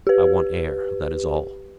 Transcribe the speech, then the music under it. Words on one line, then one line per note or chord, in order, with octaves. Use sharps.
"I want air, that is all."
G4 B4